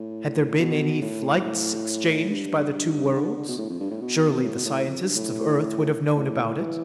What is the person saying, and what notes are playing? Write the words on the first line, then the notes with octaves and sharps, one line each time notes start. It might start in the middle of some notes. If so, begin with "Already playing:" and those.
Had there been any flights exchanged by the two worlds, surely the scientists of Earth would have known about it.
Already playing: A2
B2
A2
A2
G2
D3
D3
D3
B2
A2
F2
G2
A2
B2
A2
B2
A2
F2
G2
A2
A2
E3